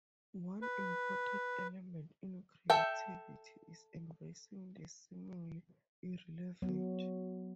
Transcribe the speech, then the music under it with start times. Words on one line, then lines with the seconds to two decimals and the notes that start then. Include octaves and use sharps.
One important element in creativity is embracing the seemingly irrelevant.
0.62 B4
2.70 A4 E5 G5
6.62 F#3 B3